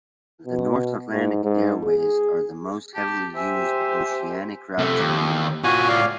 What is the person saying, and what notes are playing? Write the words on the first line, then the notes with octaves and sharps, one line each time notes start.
The North Atlantic airways are the most heavily used oceanic routes in the world.
B2
G#2
G#2
G#4
G4 A5
G4 C5 E5 G#5
C3 A3
D#2
A2 F4 F#4 G#5
D5 F5